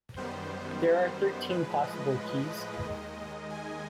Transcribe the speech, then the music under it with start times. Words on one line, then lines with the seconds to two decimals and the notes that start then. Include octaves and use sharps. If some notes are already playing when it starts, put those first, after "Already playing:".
There are thirteen possible keys.
0.17 F#2 D#3 G3 B3 C5
1.50 A2 F3 G#3 B4
1.84 D#5
2.83 D#2 D#3 G#3
3.50 G#5